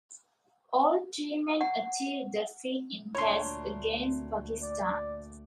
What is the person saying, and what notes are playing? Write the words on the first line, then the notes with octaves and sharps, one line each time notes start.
All three men achieved the feat in Tests against Pakistan.
F#5
D2 A#2 D4 C#5 C6
D5